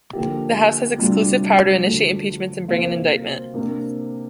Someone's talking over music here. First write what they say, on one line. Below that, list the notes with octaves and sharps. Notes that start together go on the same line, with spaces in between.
The House has exclusive power to initiate impeachments and bring an indictment.
D3 F3 A#3 G4
D2 C3 G3 D4 F4
D2 D3 F3
C3 A#3 F4 C5 F5
C3 A#3 D4